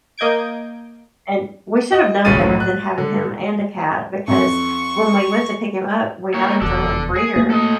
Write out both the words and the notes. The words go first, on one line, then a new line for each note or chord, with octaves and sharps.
and we should've known better than having him and a cat, because when we went to pick him up- we got him from a breeder-
A#3 D#5 G6 G#6 D7
D#5
D#1 C2 C#4 G#4 A6 D#7
A1 F#2 A2 F#3
F#6
D3
F2 C#6
A#3 C#5
F1 E2 A4 D5
G#4
A3 A#3
A4 D#5